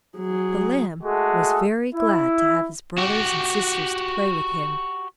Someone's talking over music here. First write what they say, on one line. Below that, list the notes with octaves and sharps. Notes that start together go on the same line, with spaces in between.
The Lamb was very glad to have his brothers and sisters to play with him.
F#3 G#4
G#3 A3 F#4 G#4 A4
E4
F#4 G4